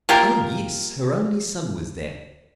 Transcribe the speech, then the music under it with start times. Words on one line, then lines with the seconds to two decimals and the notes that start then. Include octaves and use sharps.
Oh! yes: her only son was there.
0.09 A#3 F4 G4 A#4